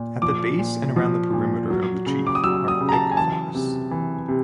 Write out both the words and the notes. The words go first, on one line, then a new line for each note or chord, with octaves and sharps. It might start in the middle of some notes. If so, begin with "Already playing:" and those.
At the base and around the perimeter of the Chief are thick forests.
Already playing: A#2
F3 D6
A#2
F3
A#2
F#3
C#3
D6
D#6
F#3 E6
D#6
C#3
A#5
A5
G#5
E3 A5
C3
E3
C3